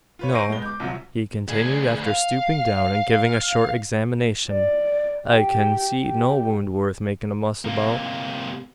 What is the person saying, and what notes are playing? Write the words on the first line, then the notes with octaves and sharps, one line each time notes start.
No," he continued, after stooping down and giving a short examination, "I kin see no wound worth makin' a muss about.
F4 B4 C#5
C#6 G6 A#6 C7 D7 D#7
G#3 B3 G7
D6 G6
C2 C3 F3 F#3
D2 G#4
F5
D5
G4
G4
C3 A#3